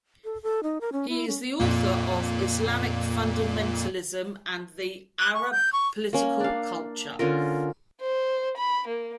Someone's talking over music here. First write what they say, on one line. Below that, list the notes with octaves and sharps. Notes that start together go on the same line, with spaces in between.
He is the author of "Islamic Fundamentalism and the Arab Political Culture".
A4
A4
D#4
A#4
C#4
E4
C#4
F2 A#2 A#3
F#6
C#6
G6
C#6
A#3 C#4
D4 F5
D3 C#4 F4 A#4
C5
B5
A#3